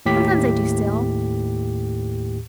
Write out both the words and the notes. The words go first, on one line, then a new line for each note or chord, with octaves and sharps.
"Sometimes I do still."
D#2 A2 G4 B6